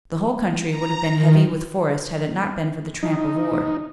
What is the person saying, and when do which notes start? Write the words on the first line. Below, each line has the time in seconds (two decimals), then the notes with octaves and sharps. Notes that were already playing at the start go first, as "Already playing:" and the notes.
The whole country would have been heavy with forest had it not been for the tramp of war.
0.67 A#5
1.10 D#3
3.03 D#4